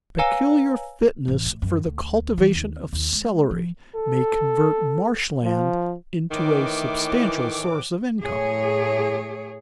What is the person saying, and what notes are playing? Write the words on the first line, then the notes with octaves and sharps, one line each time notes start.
Peculiar fitness for the cultivation of celery may convert marsh land into a substantial source of income.
B4 C#5 F5 G#5 A#5 E6
A1
A2
F#2
D2
E3
D#2
D#2
G#3
F3
A4
F3
A2 D#3 E3 D6
A2 G#4 C#5